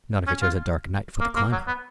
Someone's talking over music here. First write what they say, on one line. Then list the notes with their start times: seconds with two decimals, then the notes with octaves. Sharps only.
"Not if he chose a dark night for the climbing."
0.27 C#4
0.42 F4
1.20 A#3
1.36 A#3
1.52 F#3
1.67 B3